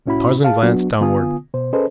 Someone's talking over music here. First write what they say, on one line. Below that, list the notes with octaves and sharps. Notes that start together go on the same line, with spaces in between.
Tarzan glanced downward.
C2 A2 C#4 E4 F#4 B5
G#4 F5 A5
F#3 B3 D4 F#4
D3 B3 F4 G#5 D#6
B2 C5
C#4 G#4 A4 B4 C5 D#5